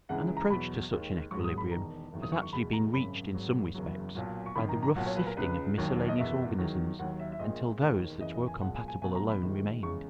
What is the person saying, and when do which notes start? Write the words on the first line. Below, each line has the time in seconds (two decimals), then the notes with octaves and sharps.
An approach to such an equilibrium has actually been reached in some respects by the rough sifting of miscellaneous organisms until those that were compatible alone remained.
0.09 C#2 C#3 E3 G#3 F#5
0.37 A#5
0.50 E2 B2 F#3 B5
0.90 D#2 D#3 G#3
1.31 G#1 G#2 F#3 C#6
1.44 D#6
1.58 B5
1.71 E1 E2 D#3 A#5
2.12 F#1 E2 D#3 F#3
2.22 D#6
2.32 C#6
2.42 C#6
2.52 E2 B2 G#3 B5
2.73 A#5
2.93 G#1 F#2 C#3 B5
3.34 G#1 G#2 F#3
3.74 F#1 E2 C#3 F#3
4.15 B1 A#2 F#3
4.46 C#6
4.55 G#1 F#2 D#3 B5
4.69 A#5
4.83 A#5
4.96 B1 A#2 F#3 F#5
5.06 C#5
5.16 B4
5.27 A#4
5.37 C#2 C#3 G#3 B4
5.77 E1 D#2 D#3 F#3
6.08 D#5
6.18 F#1 E2 B2 E5
6.58 E2 D#3 F#3
6.99 D#2 D#3 F#3 F#5
7.19 E5
7.32 E5
7.39 A#1 A#2 G#3 D#5
7.80 E1 D#2 D#3 G#3
8.20 F#1 E2 C#3 E3 D#5
8.34 D#5
8.47 G#5
8.61 B1 A#2 G#3 F#5
8.75 G#5
8.88 G#5
9.02 B1 B2 F#3 G#5
9.15 A#5
9.29 B5
9.42 A#1 G#2 D#3
9.83 E2 C#3 G#3 C#6